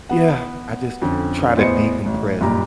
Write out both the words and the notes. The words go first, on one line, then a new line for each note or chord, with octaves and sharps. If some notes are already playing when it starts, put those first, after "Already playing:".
yeah, I just t try to decompress
B3 F#5
F2 D3 C#4
E2 A2 B3 C5 D#5 C#7
A1
F#1 G2 A#2 G4 A#5